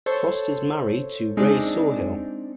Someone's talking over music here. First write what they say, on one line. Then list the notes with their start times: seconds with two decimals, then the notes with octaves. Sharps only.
Frost is married to Ray Sawhill.
0.06 A4 C5 C#5
1.37 G#3 C4 D4 D#4 D5